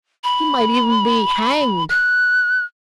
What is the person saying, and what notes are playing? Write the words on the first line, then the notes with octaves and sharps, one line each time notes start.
He might even be hanged.
B5
F#6